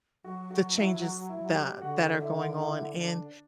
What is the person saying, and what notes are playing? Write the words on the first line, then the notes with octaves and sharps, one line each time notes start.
the changes that that are going on, and
F#3 F#4
F#4
E4
F#4
E4 E5
G4 G5
D3 F#4 F#5
E4 E5
E4 E5
D4 D5